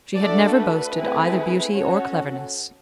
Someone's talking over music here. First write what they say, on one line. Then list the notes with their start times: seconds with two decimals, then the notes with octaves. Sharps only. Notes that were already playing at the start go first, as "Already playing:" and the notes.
She had never boasted either beauty or cleverness.
0.16 A3 D4 F#4 A4 D5
0.56 B4
0.94 A3 C4 E4 G#4
1.73 C#4 F#4 A4 C#5